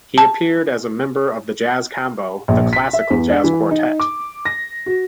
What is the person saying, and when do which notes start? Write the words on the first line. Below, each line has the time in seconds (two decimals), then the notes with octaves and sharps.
He appeared as a member of the jazz combo the Classical Jazz Quartet.
0.18 A5
2.48 A#1
2.73 B6
2.93 E5
3.10 E2
3.30 D4
3.44 E3
3.71 D#4
4.00 D6
4.45 A#6
4.86 F#4